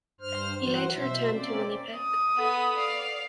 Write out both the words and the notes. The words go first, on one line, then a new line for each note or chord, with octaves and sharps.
He later returned to Winnipeg.
G2 C5 F6
E3 F#3 F#4 C5
B2 C5 E5
A#3 C4 C#4 D5
D#6
B3 A4 F#5 B5
D5 F5